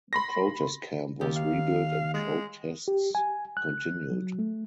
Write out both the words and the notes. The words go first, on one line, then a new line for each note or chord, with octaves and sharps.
The protest camp was rebuilt and protests continued.
B5 C6 A#6
D#2 G4
F5
G#3
G4
G#5
F#6
F#3
A3